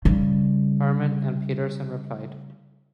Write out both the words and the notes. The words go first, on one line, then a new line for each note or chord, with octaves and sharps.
Herman and Peterson replied.
C#3 G3